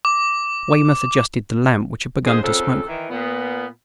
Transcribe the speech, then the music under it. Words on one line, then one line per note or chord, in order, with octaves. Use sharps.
Weymouth adjusted the lamp which had begun to smoke.
D6
D3 G#3 G#4 C5
F2 C#3 C4 A4
D#3 E3
A#2 B3